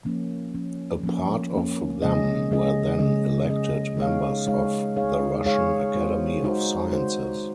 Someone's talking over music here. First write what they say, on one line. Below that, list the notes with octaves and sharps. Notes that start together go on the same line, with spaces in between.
A part of them were then elected members of the Russian Academy of Sciences.
F3 A#3 C#4
F3 A#3 C#4
F3 A#3 C#4
F3 A#3 C#4
C#3 G#3 C#4 G#4 D#5
C#3 G#3 C#4 G#4 D#5
C#3 G#3 C#4 G#4 D#5
C#3 G#3 C#4 G#4 D#5
G#3 D#4 G#4 C#5 F5
G#3 D#4 G#4 C#5 F5
G#3 D#4 G#4 C#5 F5
G#3 D#4 G#4 C#5 F5
G#3 D#4 F#4 C5
G#3 D#4 F#4 C5
G#3 D#4 F#4 C5